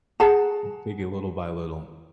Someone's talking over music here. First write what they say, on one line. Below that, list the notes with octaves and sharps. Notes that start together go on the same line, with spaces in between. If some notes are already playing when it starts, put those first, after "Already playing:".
M take it little by little.
G#4 F#5 A5 A#5